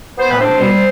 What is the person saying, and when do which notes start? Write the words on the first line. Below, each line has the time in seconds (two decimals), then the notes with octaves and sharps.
Um, and
0.18 B3 C5
0.29 B4
0.40 C4 D4 C5
0.60 G3